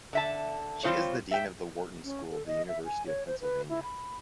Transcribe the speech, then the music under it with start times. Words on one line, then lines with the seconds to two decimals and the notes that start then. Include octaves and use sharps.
She is the dean of the Wharton School of the University of Pennsylvania.
0.13 D3 E5 A5
0.83 G3 C4 D#4 F4 C5 C#5
1.31 E5 G5
2.04 C#4
2.30 A4
2.47 D#5
2.68 E5
2.85 G#5
3.07 C#5
3.27 C5
3.41 B4
3.69 E4
3.83 B5